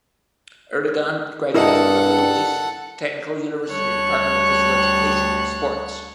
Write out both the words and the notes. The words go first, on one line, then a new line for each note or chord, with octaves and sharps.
Erdogan graduated from Middle East Technical University Department of Physical Education and Sports.
G2 E4 A4 A#4 D#5 F#5
D2 G3 C#5 A5 F#6